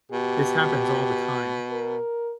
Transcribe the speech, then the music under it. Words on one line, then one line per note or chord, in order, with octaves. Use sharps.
this happens all the time.
B2 G4
A#4